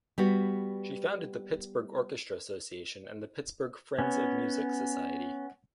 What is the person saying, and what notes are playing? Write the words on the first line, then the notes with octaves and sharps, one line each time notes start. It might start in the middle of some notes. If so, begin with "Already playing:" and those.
She founded the Pittsburgh Orchestra Association and the Pittsburgh Friends of Music Society.
G3 B3 F#4
B3 C#4